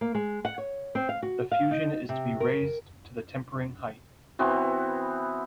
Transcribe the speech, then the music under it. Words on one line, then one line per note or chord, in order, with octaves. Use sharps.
The fusion is to be raised to the tempering height.
A#3
G#3
F#5
C#5
C4
F5
F#4
F5
D#4
C3
A#4
E3 B3 C4 F#4